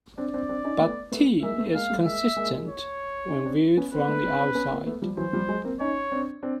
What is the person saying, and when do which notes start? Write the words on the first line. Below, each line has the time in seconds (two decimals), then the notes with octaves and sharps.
But "T" is consistent when viewed from the outside.
0.18 C4 D4 D5
0.34 C4 D4
0.49 C4 D4
0.64 C#4 D#4
0.80 A3 B3
1.12 A3 B3
1.42 G#3 A#3 E5
1.58 A3 B3
1.74 G#3 A#3 F5
1.90 G3 A3
2.05 G#3 A#3 E5
2.36 G#3 A#3
2.68 C#5
3.30 C#4 D#4
3.45 C4 D4
3.77 B3 C#4
3.92 A#3 C4 B4
4.08 A3 B3
4.24 C4 D4
4.39 C4 D4
4.55 B3 C#4
4.71 A#3 C4
4.86 A3 B3
5.02 F3 G3
5.17 E3 F#3 C5
5.33 F3 G3
5.48 F#3 G#3
5.64 A#3 C4
5.80 C#4 D#4 C#5
6.12 C4 D4
6.43 C4 D4